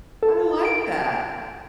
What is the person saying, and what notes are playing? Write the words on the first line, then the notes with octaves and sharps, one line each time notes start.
I like that.
A4
D7